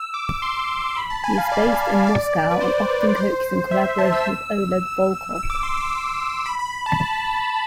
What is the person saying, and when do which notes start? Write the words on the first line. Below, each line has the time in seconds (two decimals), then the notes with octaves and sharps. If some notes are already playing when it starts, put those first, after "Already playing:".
He is based in Moscow and often coaches in collaboration with Oleg Volkov.
Already playing: E6
0.14 D6
0.42 C6
0.97 B5
1.10 A5
1.24 G#5
1.38 F5
1.52 D5
2.07 D5
2.51 B4
2.61 C5
2.89 B4
3.16 C5
3.71 E5
3.98 A5
4.13 E6
5.36 E6
5.50 D6
5.63 C6
5.77 D6
5.91 D6
6.46 B5
6.59 B5
6.86 A5